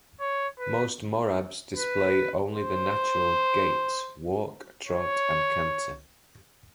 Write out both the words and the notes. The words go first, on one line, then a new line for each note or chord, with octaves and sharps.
Most Morabs display only the 'natural' gaits - walk, trot, and canter.
C#5
B4
B4
C5
C#5